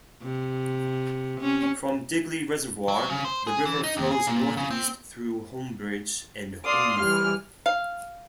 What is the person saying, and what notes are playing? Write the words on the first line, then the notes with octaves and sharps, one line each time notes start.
From Digley reservoir, the river flows north east through Holmbridge and Holmfirth.
C3
C#4
F#3
C#3
C5
G#4
E3
D#4
D#2
G#4
A#2
C#3
C4
D5 F5 C6 D#6
E3 G3 F6
F5